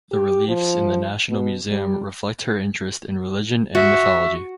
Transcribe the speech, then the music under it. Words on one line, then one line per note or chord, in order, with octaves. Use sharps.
The reliefs in the National Museum reflect her interest in religion and mythology.
G4
F3
B2
G3
F#4 E5